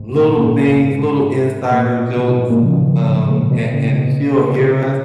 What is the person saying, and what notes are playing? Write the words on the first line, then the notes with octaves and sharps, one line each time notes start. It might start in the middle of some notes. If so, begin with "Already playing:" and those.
little things, little insider jokes, um, and and she'll hear us,
Already playing: G#2
A#2
A#2
G#2
A#2
B2
B2
G#2
A#2
C#3 F3
B2 D#3
G#2
A#2
B2
A#2 C#3
B2